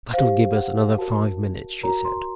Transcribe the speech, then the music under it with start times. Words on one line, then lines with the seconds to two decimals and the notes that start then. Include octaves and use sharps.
"That'll give us another five minutes," she said.
0.13 G4 C5 F5
0.56 F#5
0.98 F#4 A#4 C#5 A5
1.83 F#4 A#4 C#5 A#5
2.05 C6